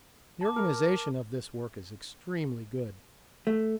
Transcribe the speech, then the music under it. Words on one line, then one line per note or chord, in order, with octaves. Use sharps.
The organisation of this work is extremely good.
A5 D6
A#4
A3